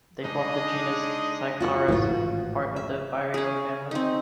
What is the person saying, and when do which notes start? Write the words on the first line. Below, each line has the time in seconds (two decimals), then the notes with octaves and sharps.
They form the genus "Cyclarhis", part of the vireo family.
0.23 G#3 D4 D#4 G#4 D#5
1.60 F4 F#4
1.88 G#1 A2 E3 F4 F#4
2.76 E5
3.34 C#4 G#4
3.91 C4 D#4